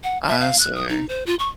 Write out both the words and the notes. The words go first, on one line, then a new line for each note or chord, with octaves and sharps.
I see.
F#5
E5
F5
F#6
D#6
D#4
C5
F4
C#6